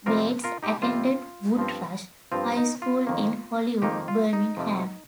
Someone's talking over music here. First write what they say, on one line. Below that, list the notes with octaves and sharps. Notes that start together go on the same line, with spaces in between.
Bates attended Woodrush High School in Hollywood, Birmingham.
F2 C3 G3 C4 F4 A#4
F4 A#4
D#4 G4
F2 C3 G3 C4 F4
G2 F3 C4
G2 F3 C4 F4
D#4
F4
F2 D#3 A#3
F2 D#3 A#3 D#4 G4
F4
D#4
F2 C3 F3